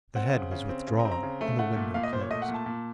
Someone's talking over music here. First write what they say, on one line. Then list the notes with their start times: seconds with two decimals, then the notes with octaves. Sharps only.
The head was withdrawn and the window closed.
0.15 C4 F#5
0.34 C#3
0.51 C#3
0.69 C4
0.87 C#3
0.99 A#5
1.05 C4
1.12 A#5
1.23 C#3
1.41 A3
1.59 A3 F#5
1.76 A#2
1.94 A#2 F5
2.03 D#5
2.13 A#2 C5
2.21 C#5
2.30 A3 D#5
2.42 F#5
2.48 A#2
2.54 A5
2.66 A#2